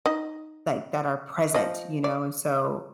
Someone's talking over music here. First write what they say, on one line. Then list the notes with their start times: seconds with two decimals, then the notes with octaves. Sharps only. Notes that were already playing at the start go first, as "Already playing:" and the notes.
like, that are present, you know, and so,
0.06 D#4 D#5
1.54 F3 D#5
2.04 D5